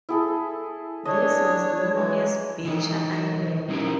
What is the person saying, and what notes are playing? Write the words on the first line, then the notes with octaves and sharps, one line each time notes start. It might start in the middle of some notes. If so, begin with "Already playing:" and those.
This was known as Beecher Island.
E4 G#4 A4
D4 C#5 D#5
E3 F#3 G#3
E3 D#4
G3 C#4 D#4 E4 A#4